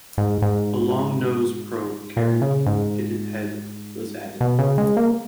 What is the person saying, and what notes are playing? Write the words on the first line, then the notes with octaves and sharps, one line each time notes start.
A long nose probe carrying a pitot head was added.
G#2
G#2
A#2
C#3
G#2
B2
C#3
G#3
A#3